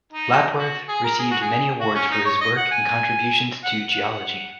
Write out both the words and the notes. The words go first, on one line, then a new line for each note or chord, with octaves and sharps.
Lapworth received many awards for his work and contributions to geology.
D#4
F#4
G#4
A#4
G#4
F#4
G#4
F#4
C#4
D#4
C#5
D#5
F#5
G#5
F#5
F#5